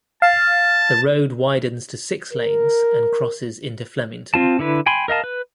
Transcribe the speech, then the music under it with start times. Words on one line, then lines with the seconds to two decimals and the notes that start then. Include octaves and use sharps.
The road widens to six lanes and crosses into Flemington.
0.22 F5 A5
2.34 A#4
4.34 C4 F4 A5
4.59 D3 E4 B4
4.86 G5 G#5 B5 C6
5.08 A#4 D#5 F5 A5
5.24 B4